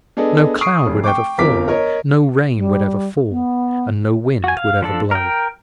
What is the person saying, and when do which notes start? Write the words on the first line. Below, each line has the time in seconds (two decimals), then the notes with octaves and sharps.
No cloud would ever form, no rain would ever fall, and no wind would ever blow.
0.17 B3 D4 G#4 A4 D#5
0.61 C#6 D#6 C7 D7
0.87 F1
1.04 G5 C#6 D6
1.38 G1 F2 F3 A#4 D6 B6
1.68 A#4 C#5 D#5
2.57 G3
3.30 B3
4.44 F#4 G#5
4.57 F5
4.82 F3 D4 A4
5.11 A#4 G5